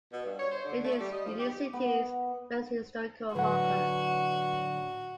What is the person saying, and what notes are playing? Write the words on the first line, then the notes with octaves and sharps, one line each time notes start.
It is Union City's first historical marker.
B2
G2
C#5
C5
D3
A3
G3
D#5
F3
G4
B3
A2 D3 F#3 F#4 B4 F#5